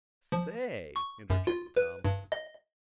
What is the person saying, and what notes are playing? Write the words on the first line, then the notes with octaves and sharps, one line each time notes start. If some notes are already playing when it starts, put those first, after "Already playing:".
"Say," interjected Tom.
F3
C#6
F#2
F4
B4
G2
D#5